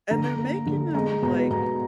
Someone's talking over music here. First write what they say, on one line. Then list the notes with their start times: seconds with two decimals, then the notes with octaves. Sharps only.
And they're making them, like
0.11 D3 A#5
0.38 A#3
0.66 D3
0.94 G#3 A#5
1.22 B2 A#5
1.50 B2 A#5